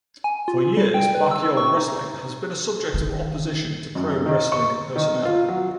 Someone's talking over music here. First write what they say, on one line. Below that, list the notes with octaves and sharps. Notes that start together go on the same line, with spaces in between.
For years, backyard wrestling has been a subject of opposition to pro wrestling personnel.
G#5
F4
G3
G5
B4
E6
C#6
D#4
D#3
F#2
D#3
C#6
D#3
F4
F#3